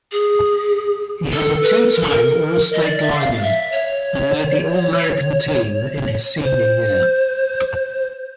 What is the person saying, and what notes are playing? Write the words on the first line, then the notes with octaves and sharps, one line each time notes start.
He was a two-time all-state lineman, and made the All-America team his senior year.
G#4
A4
B4
A#4
A4
A#4
D#5
D5
E5
F5
F5
E5
C#5
C5